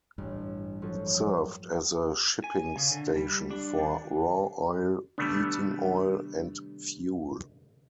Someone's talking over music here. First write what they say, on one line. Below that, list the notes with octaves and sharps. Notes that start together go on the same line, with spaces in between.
It served as a shipping station for raw oil, heating oil, and fuel.
A1 G2
F3 F#3 A4
G#5
C#3
D3
G3
D4
D#3
C3 D#3 G3 A3 B3 D4